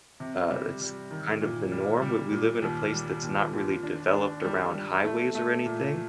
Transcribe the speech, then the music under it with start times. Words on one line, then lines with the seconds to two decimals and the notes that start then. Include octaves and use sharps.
uh, it's kind of the norm, we we live in a place that's not really developed around highways or anything,
0.20 C3
0.50 G3
0.81 G3
1.11 D#3
1.41 A#2
1.72 G3
2.02 G3
2.32 A#2
2.62 D#2
2.93 G3
3.23 D#2
3.53 D#2
3.83 D4
4.14 D4
4.44 G3
4.74 G3
5.04 A3
5.35 A3
5.66 A#2